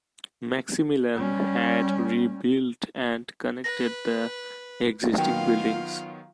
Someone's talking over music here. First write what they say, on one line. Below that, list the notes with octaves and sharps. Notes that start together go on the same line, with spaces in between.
Maximilian had rebuilt and connected the existing buildings.
G3 C#4
B4 A#6
D#3 F#3 B3 F4 F5 G5